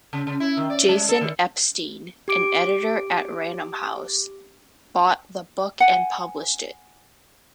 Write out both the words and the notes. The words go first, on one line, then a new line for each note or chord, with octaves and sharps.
Jason Epstein, an editor at Random House, bought the book and published it.
C#3
C#3
E4
D#3
D5
G#3
A4
D#3
G4 D6 D7
F#5 G#5